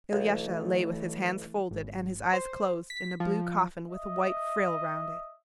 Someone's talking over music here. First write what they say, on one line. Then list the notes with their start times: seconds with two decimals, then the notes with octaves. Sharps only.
Ilusha lay with his hands folded and his eyes closed in a blue coffin with a white frill round it.
0.13 B1 E3 A3
1.71 G#1
2.33 C5
2.90 B6
3.20 F3
3.90 D#5 E5